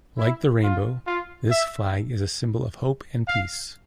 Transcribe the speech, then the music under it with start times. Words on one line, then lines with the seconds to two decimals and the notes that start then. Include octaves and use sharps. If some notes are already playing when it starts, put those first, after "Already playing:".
Like the rainbow, this flag is a symbol of hope and peace.
0.18 E4
0.62 F4
1.06 F4
1.50 E5
3.27 F5